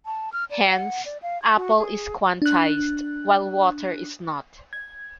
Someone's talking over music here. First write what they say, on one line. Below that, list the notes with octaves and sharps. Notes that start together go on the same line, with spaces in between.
Hence, "apple" is quantized, while "water" is not.
A5
F6
D5
F#5
D5
F5
G#6
F#4
G#4
D4 F#6
G#6